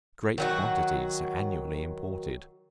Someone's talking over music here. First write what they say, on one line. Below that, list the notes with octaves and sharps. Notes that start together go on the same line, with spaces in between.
Great quantities are annually imported.
D#3 F#3 F#4